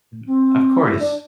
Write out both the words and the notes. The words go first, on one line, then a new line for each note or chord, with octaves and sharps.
Um Of course.
C4
E4
D4